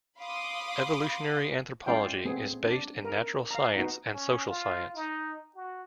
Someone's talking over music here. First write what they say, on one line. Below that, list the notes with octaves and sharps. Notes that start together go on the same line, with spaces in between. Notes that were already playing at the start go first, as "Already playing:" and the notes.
Evolutionary anthropology is based in natural science and social science.
F5 B5 C6 D6 D#6
G#3 C#4 F4 D5 F5 G5
A3 B3 C4 G#4
D4
A#4
F5 A#5
B3 D#4 F#4
C#4
F4
D#4
F#4